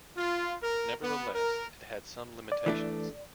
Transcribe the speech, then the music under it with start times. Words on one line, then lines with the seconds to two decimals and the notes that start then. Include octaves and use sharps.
Nevertheless, it had some limitations.
0.16 F4
0.62 A#4
1.02 B3
1.34 A#4
2.52 D5
2.66 E3 A3 D4